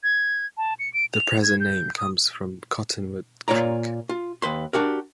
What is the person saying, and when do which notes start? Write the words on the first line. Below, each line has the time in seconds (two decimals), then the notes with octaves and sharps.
The present name comes from Cottonwood Creek.
0.04 G#6
0.58 A5
0.79 C#7
0.94 D7
1.13 F7
1.43 G#6
1.60 G6
1.97 D#6
3.48 A#2 F4 C#5 D5 A#5
4.09 F4
4.42 D#2 B4 C6
4.73 D4 F#4 G4 A#4